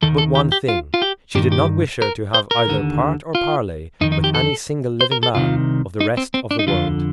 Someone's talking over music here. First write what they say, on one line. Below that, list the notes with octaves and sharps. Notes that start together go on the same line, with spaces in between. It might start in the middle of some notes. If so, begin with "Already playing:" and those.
But one thing, she did not wish her to have either part or parley with any single living man of the rest of the world.
D#2 D#3 A4
A4
G4
G4
F4
F4
G4
G2 D#3 G4
G4
A#4
C5
A#4
D#2 D3
F4
F2 D#3 D#4
D#4
G4
A4
C5
A#4
A4
C2 C3 D#3 F4
D#4
C4
C4
D4
D#4
F2 D3 F4